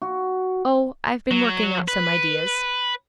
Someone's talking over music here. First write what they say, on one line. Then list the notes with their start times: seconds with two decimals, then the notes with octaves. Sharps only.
'Oh--I've been working out some ideas.'
0.02 F#4
1.31 F#3
1.88 B4